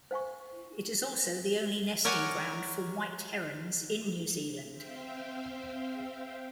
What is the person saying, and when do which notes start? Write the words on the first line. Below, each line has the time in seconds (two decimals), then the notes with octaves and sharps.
It is also the only nesting ground for white herons in New Zealand.
0.11 C5 F5 G#5 C#6
2.05 A#4 C#5 D5 F#5 G#5
4.71 C4 C5 E5 F5 G5